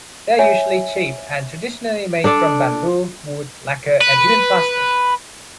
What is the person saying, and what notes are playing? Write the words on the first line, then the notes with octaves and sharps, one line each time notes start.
They are usually cheap and traditionally made from bamboo, wood, lacquer and even plastic.
C#5 E5 G#5
D4 A4 D5
B4